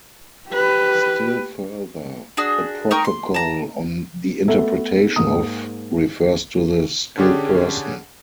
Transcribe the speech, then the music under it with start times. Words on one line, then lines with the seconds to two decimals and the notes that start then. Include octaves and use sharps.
Still further, the Protocol on the Interpretation of refers to the skilled person.
0.49 G4 B4
2.37 D4 F#4 G#4
2.91 D#4 A#4 G5 C#6
3.05 C6
3.34 A5 A#5
4.48 A3 B3 A4 E5
5.16 G#2 A#3 D#6
7.18 D3 C#4 D4 G4 G#4